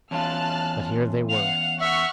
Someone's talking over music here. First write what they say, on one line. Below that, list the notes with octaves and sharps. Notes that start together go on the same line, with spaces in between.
But here they were.
E2 C#4 F4 A5 F6 F#6
F5 F#5 F7
E5 F#5 C#6 F6